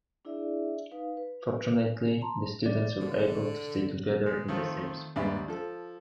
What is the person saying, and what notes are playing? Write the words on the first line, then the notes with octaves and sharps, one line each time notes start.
Fortunately, the students were able to stay together in the same school.
D4 E4 G#4 D5 E5
D#4 B4 F5
B4
G#5
A5 A#5 C6
D5
D3
G#3
D#3 A3 C4 F4
D#2 G#2 D5 E5 B5
F3 A4